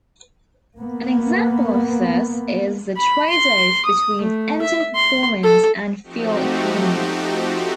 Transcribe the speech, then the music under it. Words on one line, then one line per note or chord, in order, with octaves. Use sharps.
An example of this is the trade-off between engine performance and fuel economy.
A#3 B3
B5
C6
D#6
A3
E5
C6
A4
F3 A3 C4 D#4 F#4 G4